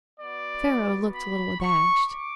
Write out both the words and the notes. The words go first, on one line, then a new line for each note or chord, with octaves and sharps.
Pharaoh looked a little abashed.
B3 F#4 D5
B5
C#6
D6